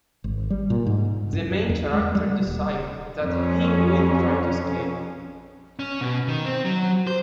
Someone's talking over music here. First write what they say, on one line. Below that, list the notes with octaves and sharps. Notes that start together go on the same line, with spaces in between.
The main character decides that he will try to escape.
G#1
G3
A#2
G#2
F#2
E2
G#3
G3
D#1
F2 C#4
C#4
B2
D#3
C4
F#3
C5